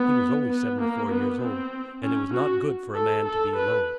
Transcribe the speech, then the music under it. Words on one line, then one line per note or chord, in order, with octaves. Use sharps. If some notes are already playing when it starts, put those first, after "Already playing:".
He was only seventy-four years old, and it was not good for a man to be alone.
Already playing: B3
B3
A#3
B3
C4
C#4
F#4
A4
A4
B4